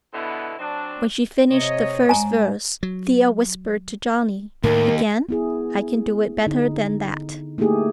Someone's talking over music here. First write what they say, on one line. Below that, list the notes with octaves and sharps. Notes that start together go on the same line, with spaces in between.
When she finished the first verse, Thea whispered to Johnny, "Again, I can do it better than that."
B2 D3 B3 E4
F#3 C4 D4
C3 C#5 D#5
G#2 G#5 A#5
F#3
D#2 A2 A3 A#4
B3 E4 G#4
D3 D#4
A3 A#3 D#4 E4 G4 G#4